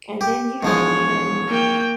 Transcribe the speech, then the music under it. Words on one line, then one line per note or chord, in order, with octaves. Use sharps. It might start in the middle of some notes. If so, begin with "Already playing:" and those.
and then you could even
G4
E1 G#2 F3 G#3 C#5
A#3 G5